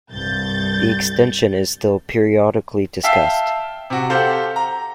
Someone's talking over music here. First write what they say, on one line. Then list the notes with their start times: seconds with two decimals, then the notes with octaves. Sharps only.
The extension is still periodically discussed.
0.10 C2 G2 G6 A6
3.04 E5 F5 G5 A5 E6 C7
3.90 C3 F#4
4.10 G4 A4 C5 F5 F#5
4.56 A#5